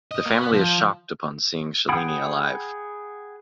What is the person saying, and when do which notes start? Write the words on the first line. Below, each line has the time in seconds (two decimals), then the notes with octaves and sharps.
The family is shocked upon seeing Shalini alive.
0.11 D#5
0.26 A#3
0.41 B3
0.53 F3
1.89 G#4 F#5 G5 B5 D#6